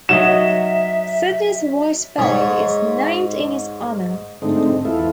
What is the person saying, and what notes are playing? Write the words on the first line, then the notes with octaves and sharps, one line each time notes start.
Sydney's White Bay is named in his honour.
F#3 D#4 D#5 E5 E7
G#2 C#5
G#2 D3 A3 C4 D#4
E2 E4 F4 A4